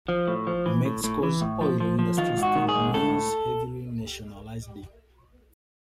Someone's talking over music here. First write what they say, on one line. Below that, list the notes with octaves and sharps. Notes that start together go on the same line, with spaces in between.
Mexico's oil industry still remains heavily nationalized.
F3
A2
F3
E3
A2
A2
E3
A2
F3
F3
F3
D#3 F4
G#2
F#4
D#3
G#4
G#2
A2 A4